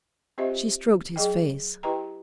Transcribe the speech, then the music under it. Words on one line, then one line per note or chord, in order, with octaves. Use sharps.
She stroked his face.
C4 F4 G4 C5 D#5 E5
F#3 G#4 D#5 G5
E4 G4 B4 D#5 G5 A#5